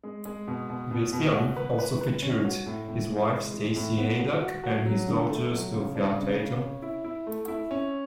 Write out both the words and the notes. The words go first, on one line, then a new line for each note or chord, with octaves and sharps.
This film also featured his wife, Stacy Haiduk, and his daughter, Sophia Tatum.
G#3
G#3
B2
B2
B2
B2
F#4
B4
B4
B4
C#4
F#4
A2
A2
E3
G#3
E3
A2
B3
F#4
F#4
F#4
F#3
D3
A3
F#3
C#3
D4
C#3
C#3
C#4
E4
E4
A3
E4
C#4